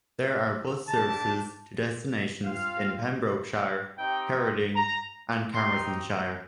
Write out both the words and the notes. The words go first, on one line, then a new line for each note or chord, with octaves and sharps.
There are bus services to destinations in Pembrokeshire, Ceredigion and Carmarthenshire.
A3 D4 G4 A5
C4 F4 F5
C4 D#4 G4 G5
A#5
C4 D#4 G4 C6